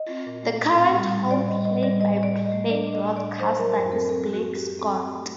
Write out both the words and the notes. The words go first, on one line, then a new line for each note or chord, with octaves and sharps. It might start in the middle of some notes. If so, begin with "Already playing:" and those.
The current home play-by-play broadcaster is Blake Scott.
Already playing: D#5
C4
A#2
A3
A2
C4
G3
A2
A2 D5
G3 D#5
A2 D#5
G3 D5
A2 D#5
A2
D5
A2
D#5
A3
D4 D5
D4
D#5
A2
D5
D4
F#3 C5
F#3 A#4
F#2
C4 A#4
C4 A4
F#2
F#4
C4
G4
F#2
C4 A4
C4
A3